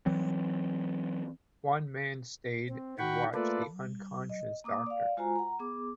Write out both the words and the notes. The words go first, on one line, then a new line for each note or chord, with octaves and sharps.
One man stayed and watched the unconscious doctor.
E3 F#3 C4
C4
D#3 F#4 F#5 G5 B5 C#6
A3 A#3 F4 A4 B4 D5
D#5
A#3 D6 D#6
D5 F5
G#3 F4 F#4 C5 G#5 A#5
F#5 A#5
B3 G#4 D6